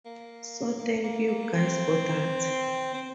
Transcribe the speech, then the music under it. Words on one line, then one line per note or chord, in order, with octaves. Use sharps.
So thank you guys for that.
A#3
A#3
A#3
A#3
C4
C4